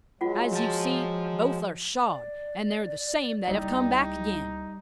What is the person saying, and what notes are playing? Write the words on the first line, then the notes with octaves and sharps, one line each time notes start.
As you see, both are shod; and they're the same that have come back again.
F#3 G#3 F4 F#5
F3 A5
D5
C#2 G3 A#3 D#4 E4